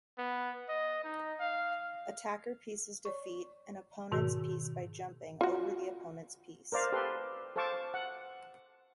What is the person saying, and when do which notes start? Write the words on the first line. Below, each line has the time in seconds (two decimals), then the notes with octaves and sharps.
Attacker pieces defeat an opponents piece by jumping over the opponents piece.
0.18 B3
0.69 D#5
1.04 D#4
1.40 F5
3.05 C#5 D5 C#6
4.11 G#2 B2 D#3 F#4 G#4
5.41 F4 F#4
6.72 A#4 C5 D5 F5
6.92 G4 A4 B4 C5 C6
7.56 A4 C5 F5 A5 C#6 D6
7.94 F#5